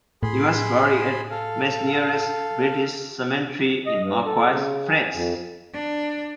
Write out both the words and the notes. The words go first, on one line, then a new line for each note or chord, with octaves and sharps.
He was buried at Masnieres British Cemetery in Marcoing, France.
A2 G#4 B5 C6
A4 F5
D#5
G2
A4
C#3
G#5
F2
D4